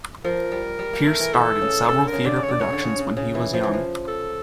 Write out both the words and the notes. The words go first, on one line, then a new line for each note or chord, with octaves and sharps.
Pearce starred in several theatre productions when he was young.
F3 A#4
G3
G3
A#3
A3
E3
E3 A4
C#3
C#3 A4
D3
A#4
C#3
D3 D5
C#3
C#5
D3 D5
C#3 C#5
D3
C#3
C#3
C#3
E3
F3
E3
F3
A4